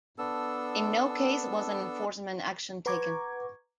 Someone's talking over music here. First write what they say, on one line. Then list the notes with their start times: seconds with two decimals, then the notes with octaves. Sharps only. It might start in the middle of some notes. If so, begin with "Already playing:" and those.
In no case was an enforcement action taken.
0.18 B3 D4 A4 E6
2.86 B4 F#5 A#5 C#6 D6 G#6